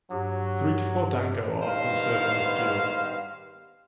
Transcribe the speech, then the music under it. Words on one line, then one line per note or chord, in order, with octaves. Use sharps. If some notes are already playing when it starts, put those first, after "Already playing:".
Three to four "dango" are often served on a skewer.
G2 F#3 G4
G2 D#3 B3 C5 F5